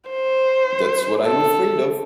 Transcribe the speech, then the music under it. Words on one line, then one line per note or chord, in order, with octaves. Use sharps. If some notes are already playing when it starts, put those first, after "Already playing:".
That's what I'm afraid of.
C5
A4